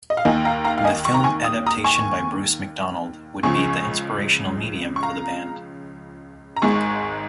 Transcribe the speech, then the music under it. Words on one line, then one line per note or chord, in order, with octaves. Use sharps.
The film adaptation by Bruce McDonald would be the inspirational medium for the band.
D#5
F5
D#2 D#3 A#3 D#5 G#5
F5 A#5
F5 A#5
F5
D#5 G#5
C#6
A#5
G#5 C#6
D#6
A#5 D#6
G#5 C#6
C#2 C#3 F3 G#5 C#6
C#6
F5 A#5
A#5
G#1 G#2 G#3 G#5 C#6